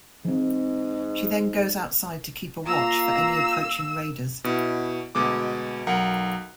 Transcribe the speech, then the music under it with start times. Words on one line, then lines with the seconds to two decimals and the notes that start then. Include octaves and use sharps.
She then goes outside to keep a watch for any approaching raiders.
0.25 G#2 E3 C4
2.66 A#3 F4 F5 A#5 E6
4.44 B2 E4
5.15 D2 B2 G#3 D6
5.87 B1 A#4 F#5